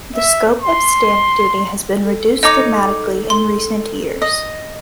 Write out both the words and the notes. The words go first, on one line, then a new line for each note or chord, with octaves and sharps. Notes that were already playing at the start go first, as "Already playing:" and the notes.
The scope of stamp duty has been reduced dramatically in recent years.
E5
C6
A4
D#4 C#5 D#5 A#5 D6
C6
D#5